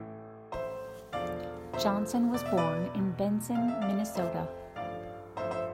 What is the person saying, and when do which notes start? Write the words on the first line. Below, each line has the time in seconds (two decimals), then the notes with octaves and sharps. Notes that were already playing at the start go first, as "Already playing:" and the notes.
Johnson was born in Benson, Minnesota.
Already playing: A1 A2 E3
0.52 A1 A2 E3 C5 E5
1.13 E1 E2 D3 F3 D5 F5
1.73 E1 E2 D3 F3 C5 E5
2.34 E2 B2 D5
2.46 E5
2.57 B4 D5
2.94 E2 B2
3.55 F1 F2 C3 F5
3.68 E5
3.82 D5 F5
4.15 F1 F2 C3 C5 E5
4.75 A1 G2 D3 F3 D5 F5
5.36 A1 G2 D3 F3 C5 E5
5.51 C5 E5